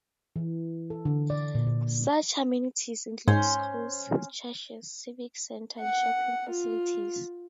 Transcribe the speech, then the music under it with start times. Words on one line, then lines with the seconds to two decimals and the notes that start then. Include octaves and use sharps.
Such amenities include schools, churches, civic centre and shopping facilities.
0.36 E3
0.90 A4
1.05 D3
1.30 D5
1.55 A#2
1.67 A#2
3.28 G#2 C#4 C5
5.81 F#5
6.50 F4